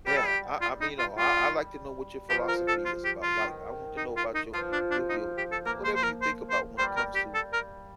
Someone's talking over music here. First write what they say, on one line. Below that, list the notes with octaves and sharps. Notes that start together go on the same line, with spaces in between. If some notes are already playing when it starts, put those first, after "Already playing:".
Yeah, I I mean, y'know, I I like to know what your philosophy is about life, I want to know about you you you, w whatever you think about when it comes to
G3 G4
A4
G4
F4
D#4
F4
G3 F4
F3 G4
A#4
A4
F4
G4
F4
D#3
D#4
F4
D#4
F3 F4
D4
D4
D#4
G4
A4
A#3 A#4
C5
C5
A#4
C5
C5
G3 C5
A#4
G4
A4
A#4